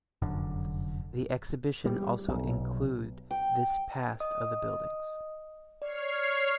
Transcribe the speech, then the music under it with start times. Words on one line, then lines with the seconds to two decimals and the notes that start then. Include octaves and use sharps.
The exhibition also include this past of the buildings.
0.22 F1 F#2 D3
1.85 G3
2.28 B1
3.31 G5
4.20 D#5 D#6
5.82 C#5 D5 F6 C7